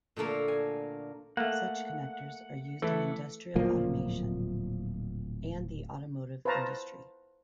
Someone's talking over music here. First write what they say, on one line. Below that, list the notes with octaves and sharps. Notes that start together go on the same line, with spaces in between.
Such connectors are used in industrial automation and the automotive industry.
A#2 D3 A3 A#3
G#5
A3 A#3 F#5
E3 A3
D1 A#2 F3 A#3
B4 C5 F5 A5 A#5 C#6